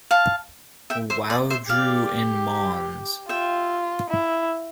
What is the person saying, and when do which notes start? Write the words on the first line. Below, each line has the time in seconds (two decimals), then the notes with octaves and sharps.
Waudru in Mons.
0.11 F5 A5
0.90 E5 G5
1.10 C5 E5
1.30 D5
1.50 C5 E5
1.69 G4 D5 F5
3.29 F4 E5 G5
4.10 E4